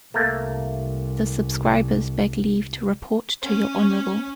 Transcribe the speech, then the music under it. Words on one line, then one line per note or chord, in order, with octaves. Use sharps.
The Subscribers beg leave to Report to your Honorable.
C2 A3 A#3
C#4